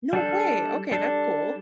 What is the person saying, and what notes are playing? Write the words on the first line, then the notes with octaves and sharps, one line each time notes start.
No way, okay, that's cool.
G3 D4 A4
G3 D4 A4